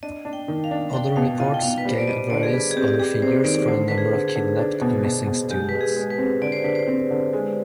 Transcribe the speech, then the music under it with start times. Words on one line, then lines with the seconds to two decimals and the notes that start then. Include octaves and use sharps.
Other reports gave various other figures for the number of kidnapped and missing students.
0.03 D4 D#5
0.25 D4
0.33 G5
0.48 D#3
0.64 F5
0.71 D4
0.93 D4 G5
1.16 B2 F5
1.40 F4 D#5
1.54 G5
1.62 B2 F5
1.78 B4
1.85 G3 C5
1.98 D5
2.08 G3 D#5
2.30 D3 D5
2.43 G#4
2.53 G3 B4
2.71 G#4
2.76 C4 G4
2.88 G4
2.99 G4 G#4
3.22 C4 C5
3.44 D#3 D5
3.67 D3 C5
3.88 D3 B4
3.98 G#4
4.13 D3
4.28 G#4
4.36 D3
4.59 D4
4.81 B2
5.04 B2
5.27 B2
5.50 G#3 G4
5.69 G#3 B4
5.81 G#4
5.96 G#3
6.11 B4
6.18 C4
6.42 D3 D5
6.52 C5
6.64 D3 B4
6.75 C5
6.87 C4
7.11 D3
7.33 G#3